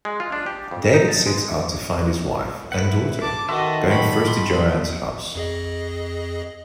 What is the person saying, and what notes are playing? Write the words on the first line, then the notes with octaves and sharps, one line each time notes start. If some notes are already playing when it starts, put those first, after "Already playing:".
David sets out to find his wife and daughter, going first to Joanne's house.
G#3
F4
D4
G4
F2
D#4
A5
G#3
E4 B4 F#5
A5 D6
D#3 F#4 A4 B4 D#5 E5 A5 C6
G4 C#5 F#5 G5 A5 B5
C6
F2 G#4 D#5